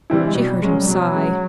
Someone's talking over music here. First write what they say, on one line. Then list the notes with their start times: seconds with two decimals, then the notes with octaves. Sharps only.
She heard him sigh.
0.10 E3 G3 C4 E4
0.27 G#3
0.35 B2 G3
0.62 F#3 G#3 C#4
0.80 G3
0.87 B2 F#3
1.14 G#3 C#4